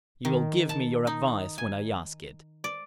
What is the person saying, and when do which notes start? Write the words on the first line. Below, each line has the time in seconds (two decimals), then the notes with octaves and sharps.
You will give me your advice when I ask it.
0.25 D#3
0.69 A5
1.07 D#4
1.58 G#5
2.64 D5